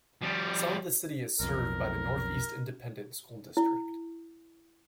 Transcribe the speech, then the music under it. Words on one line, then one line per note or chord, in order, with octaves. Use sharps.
Some of the city is served by the North East Independent School District.
F3 G3
B1 F2 A#4
E4